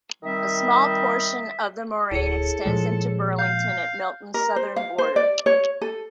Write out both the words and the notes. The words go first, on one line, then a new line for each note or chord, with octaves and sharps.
A small portion of the moraine extends into Burlington at Milton's southern border.
D#3 G3 C4 D#5 E5
D1 E4 G#4 A4 C#5 C#7
A#2 F3 G#3
F5 G6
A#4
C5
F5
C5
D5
C#5
A4